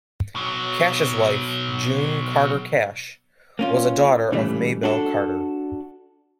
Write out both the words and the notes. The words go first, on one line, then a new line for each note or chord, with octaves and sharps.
Cash's wife, June Carter Cash, was a daughter of Maybelle Carter.
B2 F#3
A#3 C#4 F4
A#2 C#3 E3 G3 A3
D4 F#4 A4